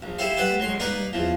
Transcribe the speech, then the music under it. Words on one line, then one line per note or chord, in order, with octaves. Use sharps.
Mhm, mhm.
A#1
E4 G4 A4 C5 F5
G4 B4 C5 D5 F#5
F#3 C6
A#3 D#4 A#4 B4 D5
E2 F3